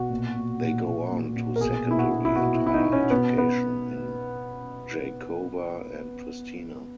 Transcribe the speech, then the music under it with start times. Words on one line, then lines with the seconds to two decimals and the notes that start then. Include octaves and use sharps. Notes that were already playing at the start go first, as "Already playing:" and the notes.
They go on to secondary and higher education in Gjakova and Pristina.
Already playing: B2 F#4
0.10 A#2
0.36 A#2
0.61 A#2
0.85 A#2
1.11 A#2
1.36 A#2
1.56 A#4
1.60 B2 G#4
1.85 B2
1.91 E4
1.99 F#4
2.11 B2
2.25 E4
2.36 B2 F#4
2.54 E4
2.61 B2
2.66 E4
2.74 D#4
2.87 B2
2.93 C#4
3.10 B2 B3
3.37 B2 B3